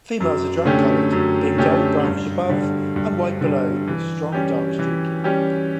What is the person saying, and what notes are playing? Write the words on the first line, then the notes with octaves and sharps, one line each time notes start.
Females are drab-coloured, being dull brownish above, and white below with strong dark streaking.
F#2
D3 A3 C#4 G4
F#2
D3 A3 C#4 G4
G2
D3 G3
G2
D3 G3
E3
G3 C#4 G4
E3
G3 C#4 G4